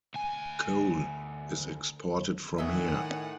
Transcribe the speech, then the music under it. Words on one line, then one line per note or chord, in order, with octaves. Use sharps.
Coal is exported from here.
D2 G#5
A2 D#3 C#4 D#5 E5 F#5 G#5